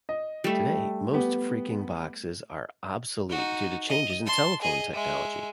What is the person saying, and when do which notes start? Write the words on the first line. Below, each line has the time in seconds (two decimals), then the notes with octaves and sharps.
Today, most phreaking boxes are obsolete due to changes in telephone technology.
0.09 D#5
0.44 G3 A3
1.13 B3 G4
3.30 D#4 F#4
3.89 D#5
4.26 A5 C6
4.61 G#4 D#5
4.93 G#3 E5